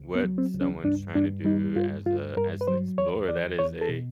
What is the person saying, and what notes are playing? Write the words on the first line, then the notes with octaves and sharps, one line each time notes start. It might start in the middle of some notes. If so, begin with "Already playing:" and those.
what someone's trying to do as a as an explorer, that is a
Already playing: C#2
B3
F#3
C4
C#2
C#4
G2 D4
G2 D4
G3 D#4
G2 F4
G2 F4
G2 A#4
B4
F#3 C5
E2 C#5
E2 D5
E2 C#5
A4
B2